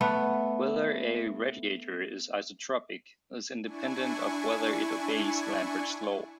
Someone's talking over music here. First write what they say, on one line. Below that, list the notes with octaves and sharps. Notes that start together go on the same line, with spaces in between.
Whether a radiator is isotropic is independent of whether it obeys Lambert's law.
A3 B3
D4 E4 G#5 C#6